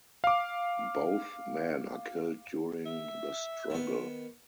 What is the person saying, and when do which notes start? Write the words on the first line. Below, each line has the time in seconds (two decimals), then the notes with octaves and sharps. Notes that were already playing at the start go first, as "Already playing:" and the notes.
Both men are killed during the struggle.
0.24 F5 D6
2.86 E5
3.70 D#3 B3